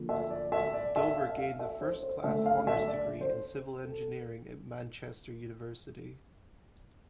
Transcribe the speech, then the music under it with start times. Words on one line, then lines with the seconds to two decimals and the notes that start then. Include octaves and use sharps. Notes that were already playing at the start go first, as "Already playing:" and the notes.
Dover gained a First Class Honours degree in Civil Engineering at Manchester University.
Already playing: D3 F3 A#3
0.09 E5
0.30 D5
0.52 E5
0.74 D5
0.96 E5
1.16 F5
1.29 E5
1.38 F5
1.59 E5
1.81 C5
2.03 C5
2.24 D3 A3 E5
2.46 F5
2.67 E5
2.88 D5
3.21 C5
3.84 A4